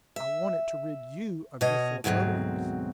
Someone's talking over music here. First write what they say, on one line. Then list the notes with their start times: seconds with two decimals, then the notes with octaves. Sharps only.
I wanted to rid you of your forebodings.
0.16 E5
1.61 B2 C#5 D#5
2.04 D2 G#2 B2 F#3 C4